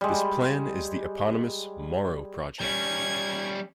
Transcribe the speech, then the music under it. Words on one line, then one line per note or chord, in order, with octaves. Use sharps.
This plan is the eponymous "Morrow Project".
G3 G#3
G3 C#4 G#6